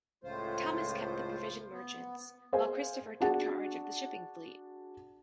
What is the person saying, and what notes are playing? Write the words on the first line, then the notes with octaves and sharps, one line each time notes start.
Thomas kept the provision merchants, while Christopher took charge of the shipping fleet.
C#2 A2 F4 C5
B3
G#4 C5 F5 G#5
D4 F#4 G#4 F#5 A5